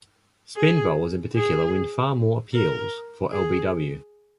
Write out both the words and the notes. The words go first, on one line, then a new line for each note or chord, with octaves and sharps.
Spin bowlers in particular win far more appeals for lbw.
G#4
G#4
A#4
G#4